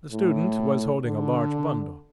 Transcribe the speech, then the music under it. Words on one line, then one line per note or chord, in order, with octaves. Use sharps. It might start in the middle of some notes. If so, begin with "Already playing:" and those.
The student was holding a large bundle.
A2
D3